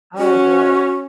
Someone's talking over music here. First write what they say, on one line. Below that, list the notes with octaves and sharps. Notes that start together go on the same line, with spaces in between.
Oh, boy.
C#4 F#4